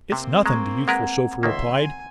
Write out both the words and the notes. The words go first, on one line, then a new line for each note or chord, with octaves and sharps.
"It's nothing," the youthful chauffeur replied.
C3 A#3 C4
G#3 A#5 C#6 G#6
G#3 A#4 B4 F#5 A#5 G#6
C#2 D#3 A#3 E5 C6
G#5